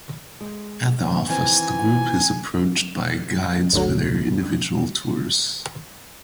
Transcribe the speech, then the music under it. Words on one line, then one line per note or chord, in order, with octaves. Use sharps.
At the office, the group is approached by guides for their individual tours.
G#3
D#3 E3 C4 G#5
G1 D2 D3 F#3